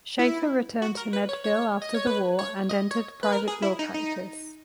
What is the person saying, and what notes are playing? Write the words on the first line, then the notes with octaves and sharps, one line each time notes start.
Shafer returned to Meadville after the war and entered private law practice.
E4
F#4
A#4
B4
C#5
C#5
D#5
C#5
B4
C#5
D#5
C#5
B4
A#4
G#4
E4
D#4
D#4